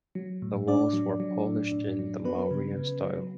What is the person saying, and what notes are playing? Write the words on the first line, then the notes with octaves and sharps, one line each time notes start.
The walls were polished in the Mauryan style.
F#3
A2
A2 D4 D5
F#3
F#3
A2
A2
F#3
F#3 B3 B4
C#3
C#3
F#3